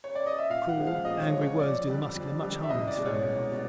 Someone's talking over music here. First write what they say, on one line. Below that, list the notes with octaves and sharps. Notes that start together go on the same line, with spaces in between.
Cruel, angry words do the Muscular much harm in his family life.
C#5
D5
D#5
E5
A#2 F5
F#5
F3 G#3
F5
A#2 D#5
C#5
F3 G#3
C#5
F2 D5
D3 G3
F2
D3 G3
E5
C2 D#5
D5
B2 G#3
C#5
C2
B2